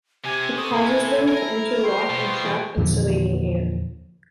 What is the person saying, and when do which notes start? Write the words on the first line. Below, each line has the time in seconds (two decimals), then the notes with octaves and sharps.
It causes them to interlock and trap insulating air.
0.25 C3 G4 G#5
0.57 A4 C6 C#6 D#6
0.74 C3 E4 G#5
1.28 A#4
1.83 F3 G5 C6 C#6
2.10 B2
2.77 E2 A#2 D3 F3